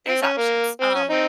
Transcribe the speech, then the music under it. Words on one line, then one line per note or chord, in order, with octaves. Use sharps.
there's options, um,
C4
C#4
A#3
C4
C#4
C4 D#4